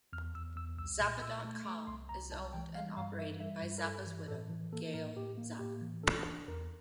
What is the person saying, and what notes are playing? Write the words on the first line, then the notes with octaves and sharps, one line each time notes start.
Zappa dot com is owned and operated by Zappa's widow, Gail Zappa.
E2 F6
E2 E6
E2 E6
C2 E6
A#2
A#2 E6
A3
A3 D6
C2 C6
C2 A#5
C2 A5
E3 G5
G3 F5
G2 F5
E3 E5
G3 E5
G2
A#4
G2 A4
E3
A2 A4
E3
A#3 A4
A2 A#4
A2 G4
A#3
A2 G4
E3
D4 A4
D4
E2 A#4